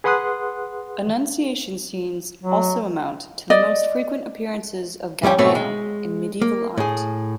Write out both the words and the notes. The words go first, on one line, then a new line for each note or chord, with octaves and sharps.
Annunciation scenes also amount to the most frequent appearances of Gabriel in medieval art.
G#4 B4 F#5 C6 D#6 F#6
F#3
D5 D#5
F2 G3 C#4 G5
G#2 B2 A3 B3 C4 C#5
G#3
A#3
A2 G#4